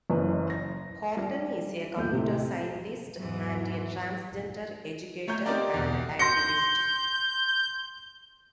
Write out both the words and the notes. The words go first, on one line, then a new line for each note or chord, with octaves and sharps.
Horton is a computer scientist and a transgender educator and activist.
F#1 F#2 E3 B4
A#6
G3
G1 D#2 A4 G6
A2 C3
E2 G#2 E3 F#3
A3 C#5 A#5 G6
C4 D#4 G4 A#4 D5
E2 B2
C6 G6 A#6 C#7